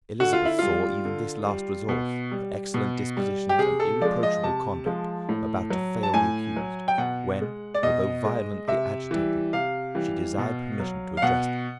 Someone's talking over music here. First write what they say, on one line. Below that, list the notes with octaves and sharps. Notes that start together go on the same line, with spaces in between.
Elizabeth saw even this last resource, her excellent dispositions and irreproachable conduct, about to fail the accused, when, although violently agitated, she desired permission to address the court.
D3 F#4
F4
E4
G3 F4
D3
G3
B2
G3
B2
G3
G4
C3 G#4
A4
F3 G#3 D5
D#5
C3 A5
F3 G#3
A2
F#3
A5
A2 G#5
F#3
G5
B2 F#5
G#3
D5
B2 D#5
G#3
C3 E5
E3 G3
C3 F5
E3 G3
B2
F#3
F5
B2 F#5